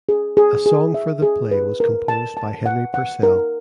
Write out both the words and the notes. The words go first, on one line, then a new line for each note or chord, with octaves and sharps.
A song for the play was composed by Henry Purcell.
G#4
G#4
G#4
E5
G#4
B4
A#4
A5
A5
F#5
F#5
A#4